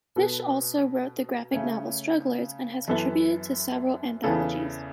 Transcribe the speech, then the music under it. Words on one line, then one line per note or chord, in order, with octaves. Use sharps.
Fish also wrote the graphic novel, "Strugglers," and has contributed to several anthologies.
B2 B3 A4
C#3 A3 C#4
F#2 E3 B3 A4 E5
E2 C#3 E3 B3 A4